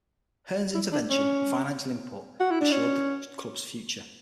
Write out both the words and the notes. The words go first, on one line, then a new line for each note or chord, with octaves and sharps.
Hearn's intervention and financial input assured the club's future.
E4
D4
C#4
F#4
E4
D4
C#4